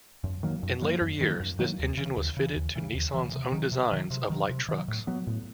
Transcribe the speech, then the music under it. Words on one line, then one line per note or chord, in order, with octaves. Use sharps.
In later years, this engine was fitted to Nissan's own designs of light trucks.
F#2
D#3 F#3 A#3
F#2
D#3 F#3 A#3
F#2
D#3 F#3 A#3
F#2
D#3 F#3 A#3
D#2
C#3 E3
D#2
C#3 E3
D#2
C#3 E3
D#2
C#3 E3
C3
D#3 F#3
C3
D#3 F#3
C3
D#3 F#3
C3
D#3 F#3
A2
F#3 B3
A2